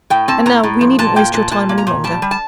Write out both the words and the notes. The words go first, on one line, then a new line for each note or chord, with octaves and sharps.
And now, we needn't waste your time any longer.
A2 G5
C4 A5
A2 A#5
A2
F3
A#2 A5
A#3 G5
A#2 A5
A#2 A5
A#3
A#5
A#2
G3 A5
G3
A5